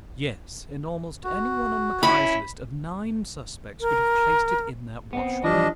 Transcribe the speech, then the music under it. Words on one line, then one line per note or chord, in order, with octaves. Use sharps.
"Yes, and almost any one on Mackay's list of nine suspects could have placed it in that washroom."
F#4
C#4 E4 B5
A#4
B3 C4
E3 F3 G3 D4 D#5